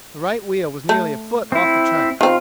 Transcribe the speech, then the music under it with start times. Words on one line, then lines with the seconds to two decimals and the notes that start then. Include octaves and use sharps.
The right wheel was nearly a foot off the track.
0.89 A3
1.52 C4 E4
2.21 D#3 C4 F4